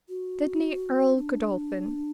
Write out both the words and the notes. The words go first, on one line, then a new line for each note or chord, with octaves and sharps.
"Sidney Earl Godolphin."
F#4
D4